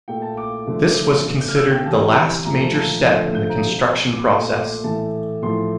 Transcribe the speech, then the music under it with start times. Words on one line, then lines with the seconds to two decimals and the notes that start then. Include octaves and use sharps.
This was considered the last major step in the construction process.
0.08 A#2 A3 G5
0.22 A5
0.37 D6
0.67 D3 F3 A3
1.27 D3 A3
1.41 G6
1.48 F6
1.56 E6
1.71 G5
1.86 C3 E3 G3 A5
2.00 A#5
2.45 A#2 F3 A3 A#5
2.60 A5
2.75 A5
3.05 D3 F3 A3
3.35 G6
3.50 A#5
3.65 C3 G3
4.12 D6
4.23 A#2 A3 C6
4.84 A2 E3 A3 A5
5.42 A2 F3 A3 C6